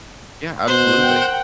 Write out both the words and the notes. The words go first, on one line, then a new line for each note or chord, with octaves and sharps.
Yeah, absolutely.
B2 C5 F#6
A#4 F#5 G5